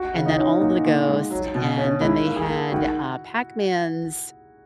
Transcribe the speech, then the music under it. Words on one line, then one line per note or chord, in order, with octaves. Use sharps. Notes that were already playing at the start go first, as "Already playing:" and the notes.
and then all of the ghosts, and then they had, uh, Pac-Man's
Already playing: F#4
C#3
D#4
C#4
A#2 D#4
A#2
G#3
F#3
B2
C#4
G#2 E4
A#3
G#4
A#3
D#3 F#4